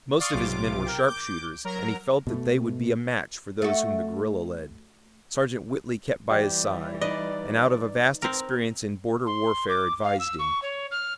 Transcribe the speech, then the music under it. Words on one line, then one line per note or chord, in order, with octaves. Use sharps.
Most of his men were sharpshooters and he felt that they would be a match for those whom the guerrilla led. Sergeant Whitley kept by his side, and out of a vast experience in border warfare advised him.
D5 F5 C6 C#6 D#6
B1 C3 F4 D6
A#4 G5
D6 G6
F#3 A#4 A#5
B2 A3
A3 F#4
E3 G3 G4 D5 G5
D#4 B4 D5 D#5
C4 A#4
C6
D6
F5
E6
C#6
C#5
F6